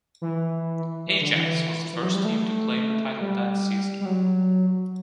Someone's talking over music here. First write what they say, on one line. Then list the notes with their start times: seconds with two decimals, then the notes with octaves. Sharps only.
Ajax was the first team to claim the title that season.
0.22 E3
1.07 E3
1.21 D3
1.36 E3
1.93 E3
2.03 F#3
2.15 G3
2.25 A3
3.21 G3
4.01 G3
4.06 F#3